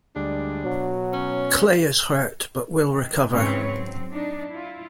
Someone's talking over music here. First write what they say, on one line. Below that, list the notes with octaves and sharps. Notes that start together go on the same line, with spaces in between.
Clay is hurt, but will recover.
D2 G3 G#3 D4
B2 F#3
C#4
D#3
G#2 C#3 E3 C4 B4 C#5
F#3 C4
D4 D#4
E4 F4